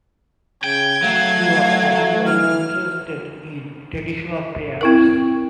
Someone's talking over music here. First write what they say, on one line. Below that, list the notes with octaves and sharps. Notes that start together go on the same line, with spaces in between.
She was particularly interested in traditional prayers.
C#3 G5 G#6
F#3 A3 F5
E3 F6
C4 E4 A#4